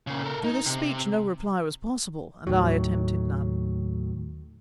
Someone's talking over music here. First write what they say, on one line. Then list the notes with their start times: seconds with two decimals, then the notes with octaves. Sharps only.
To this speech no reply was possible, and I attempted none.
0.07 A#2 C#3
0.24 A4 A#4
0.44 D#4
0.66 C3
2.47 D#2 A2 D#3 F#3